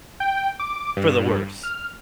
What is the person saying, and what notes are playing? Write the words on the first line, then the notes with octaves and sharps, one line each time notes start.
for the worse.
G5
D6
G2
F6